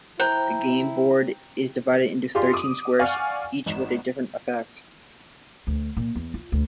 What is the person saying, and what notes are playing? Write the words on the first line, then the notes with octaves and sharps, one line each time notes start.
The game board is divided into thirteen squares, each with a different effect.
E4 C5 G5 A#5
F4 G4 G#4 D5 C6
D6 D#6
D5 F5 F#5 G#5 C#6 F6
G#1 E7
D2
A#2
E2
F4
D2